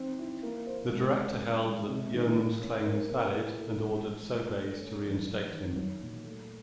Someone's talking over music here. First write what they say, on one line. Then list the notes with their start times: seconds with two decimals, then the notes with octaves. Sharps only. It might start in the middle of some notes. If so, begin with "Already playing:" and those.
The Director held that Yeoman's claim was valid and ordered Sobeys to reinstate him.
Already playing: C4 D#4
0.19 E4
0.43 A#3
0.67 C5
0.91 G#3
1.16 C#4
1.40 C#4
1.64 G#3
1.88 C3
2.13 D#3
2.37 A#3
2.61 C#4
2.86 A#4
3.10 A#3
3.33 E4
3.57 A4
3.82 G#3
4.07 G#3
4.31 A3
4.55 A3
4.79 C#4
5.03 E3
5.28 F#3
5.52 D#3
5.76 F#3
6.01 A#2
6.25 A3